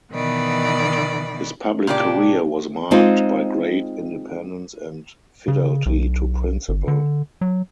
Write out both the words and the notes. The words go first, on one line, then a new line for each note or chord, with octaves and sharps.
His public career was marked by great independence and fidelity to principle.
B2 D#3 E3 B3 D5 B5
A#2 C#3 D4 G4 D5
G#3 C4 D#4 F4
C#3
B1
G1
D3
F#3